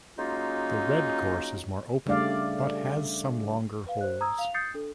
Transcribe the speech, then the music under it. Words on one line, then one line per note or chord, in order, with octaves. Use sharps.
The red course is more open, but has some longer holes.
F#3 G#3 A#3 C#4 D#4 F4
C#3 G3 A3 D4 D5 F5
B4 F5
C5 F#6
A#5 D#6 E6 G#6
F5 F7
D#6 G6 A6 C7 C#7
D4 A4